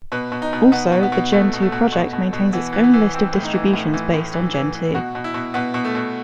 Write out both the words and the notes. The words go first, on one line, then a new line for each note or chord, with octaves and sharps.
Also, the Gentoo project maintains its own list of distributions based on Gentoo.
B2 B4
B2
D#4
B2
B2 B3
B2
B3
B2
B2 A3
B2
A3
B2
B2
B2
B2
E3 B3
E3
B3
E3
E3 C4
A2
D#4
E3
A2
E3
A2
E3
E3
E3
B2 F#4
B2
E4
B2
B2 B3
B2
A3
B2